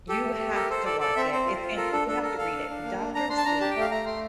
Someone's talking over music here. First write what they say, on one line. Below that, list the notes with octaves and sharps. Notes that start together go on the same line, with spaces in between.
You have to watch it. It's fan you have to read it, Doctor Sleep.
G4 A4
A3
G4
A4 A#4
A4 C5
A4 D5
A4 D5
C4 E5
C4 C5
F4
F4
A4 A#4
D4 A4
D4 A4
A4 A#4
A4 F5
D4
D4
A#3
D4
D4 A#5
D4 C6
A5
D4 A#5
G4 A5
G5
A3
F5
A3 A#5
A3 C6